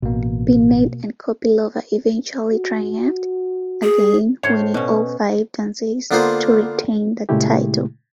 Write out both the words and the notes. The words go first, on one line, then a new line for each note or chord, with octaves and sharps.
Bennett and Kopylova eventually triumphed, again winning all five dances to retain the title.
A1 B2 A#3
F#4
G#4
A2 C5 C#5
B2 C#4
D3 A#3 B3 F4 C5
A#2 C#3 G#3 A3 E4 G4